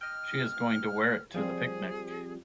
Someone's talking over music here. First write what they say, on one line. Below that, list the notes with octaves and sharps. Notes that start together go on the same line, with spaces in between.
She is going to wear it to the picnic.
D#5 G5 F6
F3 G3 C4 G#4